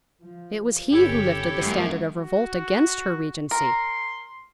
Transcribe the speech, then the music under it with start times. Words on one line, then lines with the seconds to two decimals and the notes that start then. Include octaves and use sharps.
It was he who lifted the standard of revolt against her regency.
0.20 F3
0.92 G1 G2 C#4 E4 G4 A4 C#5
1.61 F#2 G#3 A#3
2.15 F#4
3.51 A#4 C6